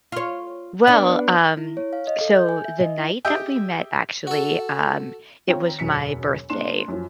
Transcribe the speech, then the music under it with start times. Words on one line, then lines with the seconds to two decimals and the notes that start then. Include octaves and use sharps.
Well, um, so, the night that we met, actually, um, it was my birthday.
0.12 F4 C#5
0.87 B3 D4
1.58 E4
1.77 C#5
1.93 F5
2.07 D#5
2.21 A4
2.36 G6
2.49 G#5
2.65 E5
2.81 D#5
2.97 E4
3.25 G4 G#4 D#5 E5 G5
4.27 F#4 A4
5.48 C4 F4 C#5 G5 A#5
5.79 E1 F#2 B6 C#7
6.50 A#3 D4 C6 E7
6.88 F#2 F3